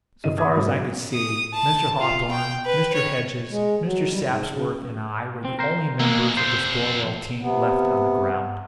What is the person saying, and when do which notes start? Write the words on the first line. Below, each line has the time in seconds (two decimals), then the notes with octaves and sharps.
So far as I could see, Mr. Hawthorn, Mr. Hedges, Mr. Sapsworth, and I were the only members of the Storwell team left on the ground.
0.24 G1 E3 D#5 D#7
0.38 B5 C6 D6 D#6 G#6
0.55 G#2 F#3
0.68 B2
1.13 D#6
1.54 A5
2.01 F4
2.31 G5
2.66 B4
2.94 C#5
3.51 G#3
3.84 F#3
4.10 G3
4.25 G#2
4.48 C#3
5.45 C4
5.59 A#4 C5
6.00 E3 G#3 A#3
6.37 F2 C3 C5
7.41 C3 B3